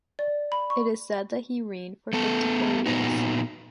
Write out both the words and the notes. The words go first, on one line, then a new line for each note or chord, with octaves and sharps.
It is said that he reigned for fifty-four years.
D5
B5
C#6
A3 B3 A4
A#2 B3 D#4 F#4